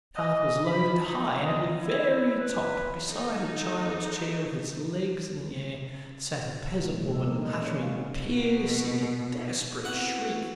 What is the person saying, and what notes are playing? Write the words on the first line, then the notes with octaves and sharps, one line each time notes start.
The cart was loaded high, and at the very top, beside a child's chair with its legs in the air, sat a peasant woman uttering piercing and desperate shrieks.
D#5
B5
D#4
D#5
E4
B4
D#4 A4
A#2 F3 F#3 G#3 E4
D#4 G4 A4
E3 A#3 A#4
D4 D#5
C#4 G#4
G#3 C#4 D4 F#4 F5
B2
B3 C4 E4 F#4 F#5